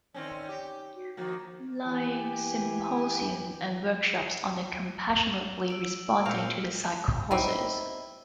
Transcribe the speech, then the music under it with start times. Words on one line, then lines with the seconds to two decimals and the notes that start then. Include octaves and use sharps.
Laing Symposium and workshops on compassionately responding to psychosis.
0.14 D#3 C4 C#4 D5
0.49 G4
0.95 F#4
1.17 D#3 F3 A#3 F#4
1.85 E3 G4 G#5
5.68 E6 D7 F#7
6.26 A#2 C4 F5 G6 C#7
7.31 C4 D#4 E4